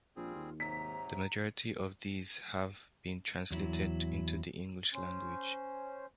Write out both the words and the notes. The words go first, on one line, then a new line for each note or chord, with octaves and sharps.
The majority of these have been translated into the English language.
A#1 G3 C4 F4 G#4
D#2
G#2 C3 F#3 A#5 B6
E2 F#3 E4
C#4 C5